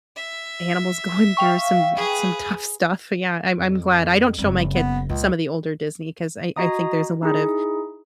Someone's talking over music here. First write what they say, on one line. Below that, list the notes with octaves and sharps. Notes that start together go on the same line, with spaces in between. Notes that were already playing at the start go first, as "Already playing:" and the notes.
animals going through some some tough stuff. Yeah, I'm I'm glad, I don't show my kid some of the older Disney, 'cause I I think there's a lot of
E5
F5 G5 C#6
G#4 B4
F2
F#1 G3 C4
B3
C#2 A#2
F#4 D#5 A#5 D#6
D#4 E4 G#4